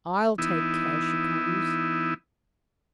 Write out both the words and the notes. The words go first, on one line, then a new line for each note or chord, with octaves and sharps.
I'll take care she comes.'
E3 B3 D#4 E4